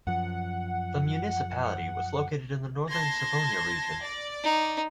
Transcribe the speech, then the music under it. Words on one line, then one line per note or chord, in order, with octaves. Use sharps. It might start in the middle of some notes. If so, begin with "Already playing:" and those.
The municipality was located in the Northern Savonia region.
F#2 F3 F#5
A5 C6 G#6 A#6
D5
D#4